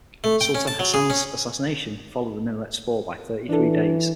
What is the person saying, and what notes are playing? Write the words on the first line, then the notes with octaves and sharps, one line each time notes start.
Sultan Hasan's assassination followed the minaret's fall by thirty-three days.
A3
G5
C#4
A5
F#3
G#4
C#4
E3 D4 A4